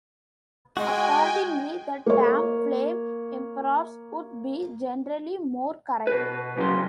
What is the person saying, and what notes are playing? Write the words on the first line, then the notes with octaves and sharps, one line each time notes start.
Accordingly, the term "flame emperors" would be generally more correct.
G#3 F#4 D#5 G5 G#5
A#3 C#5
B2 B4
C2 F#2 C#3 F#3 C#5 C6